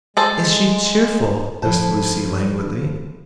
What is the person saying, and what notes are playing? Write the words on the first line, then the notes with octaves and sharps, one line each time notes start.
"Is she cheerful?" asked Lucy languidly.
G#3 G#4 A4 C5
F3 E4 A4 C5 A5